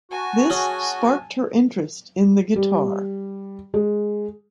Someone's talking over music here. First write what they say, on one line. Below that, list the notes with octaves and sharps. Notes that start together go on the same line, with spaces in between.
This sparked her interest in the guitar.
F#4 G#5 A5
C#4 G#4
G3
G#3